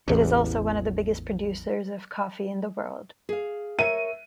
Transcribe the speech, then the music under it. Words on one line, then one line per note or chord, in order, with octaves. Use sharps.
It is also one of the biggest producers of coffee in the world.
A1 E2
G#4 F5
A#4 C#5 E5 D#7